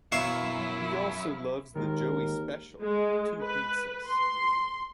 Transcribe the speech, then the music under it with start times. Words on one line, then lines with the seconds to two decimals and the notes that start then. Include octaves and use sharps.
He also loves the "Joey Special" - two pizzas.
0.12 F#2 B2 E3 E4 E5 F5 C#6
1.75 D#2 D#3 G#3 A#3 A#4
2.81 G#3
3.41 B4
4.08 C6